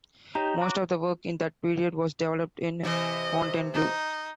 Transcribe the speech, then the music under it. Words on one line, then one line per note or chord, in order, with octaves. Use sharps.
Most of the work in that period was developed in Fontainebleau.
D#4 G4 C#5 A#5
F#4 D6
C3 E3 D#5
D#4